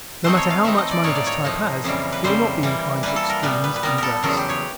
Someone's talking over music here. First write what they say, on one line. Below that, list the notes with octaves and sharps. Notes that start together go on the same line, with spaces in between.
No matter how much money this type has he will not be inclined to extremes in dress.
E3 A3 C4 D#4 C5
C#5
F5
E3 A3 C4 D#4 E5
D#5
D5
A2 F3 A#3 D#4 C#5
D5
C#5
A2 F3 A#3 D#4
F2 C#3 E3 G3 A#3
B4
F2 C#3 E3 G3 A#3 C5
E3 G3 A#3
E3 G3 A#3 B4
A4
A#4
A#2 G3 B3 B4
B4
B4
A#2 G3 B3 A#4
A4 A#4
E2 C#3 F#3 B3 A#4
G4
C#5